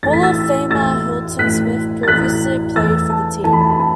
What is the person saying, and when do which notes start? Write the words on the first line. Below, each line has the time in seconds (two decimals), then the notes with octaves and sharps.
Hall of Famer Hilton Smith previously played for the team.
0.03 A1 A2 A3 A6
0.13 B6
0.23 E6 A6
0.70 A1 A2 A3 E6 A6
1.39 A1 A2 A3 F#6 B6
2.03 A6
2.07 A1 A2 A3 F#6 B6
2.76 E2 E3 A3 E6 A6
3.10 A5
3.44 E2 E3 A3 A5
3.53 B5
3.61 A5
3.70 B5
3.80 A5